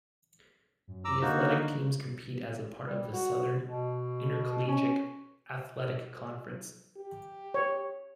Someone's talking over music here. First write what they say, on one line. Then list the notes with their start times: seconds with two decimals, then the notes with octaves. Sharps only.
The athletic teams compete as a part of the Southern Intercollegiate Athletic Conference.
0.88 F#2
1.05 A#5 D6 E6
1.21 D3 A#3 D#4 F#4
2.87 G3
3.13 F#4
3.68 B2
4.68 C#4
6.97 G4
7.54 C#5